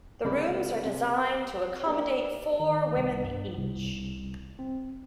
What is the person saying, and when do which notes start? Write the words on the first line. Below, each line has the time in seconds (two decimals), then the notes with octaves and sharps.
The rooms are designed to accommodate four women each.
0.24 C#2 C3 A#3 D5 B5
0.85 C3
1.85 A#3 D4 G4
2.60 D#3
2.96 C2
3.24 G2
3.58 C2
4.59 C4